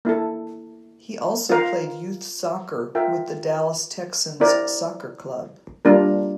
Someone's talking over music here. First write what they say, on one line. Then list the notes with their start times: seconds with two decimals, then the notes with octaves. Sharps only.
He also played youth soccer with the Dallas Texans Soccer Club.
0.05 A#3 E4 A4
1.50 F4 A#4 F5
2.95 F4 A#4 E5 G5
4.40 C4 E4 A#4 D5
5.85 G3 A#3 D4 F4 A#4